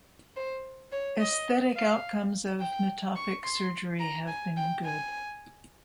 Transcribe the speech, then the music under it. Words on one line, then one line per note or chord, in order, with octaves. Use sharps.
Aesthetic outcomes of metopic surgery have been good.
C5
C#5
D#5
F5
G5
C#6
C6
A#5
G#5
G5
G#5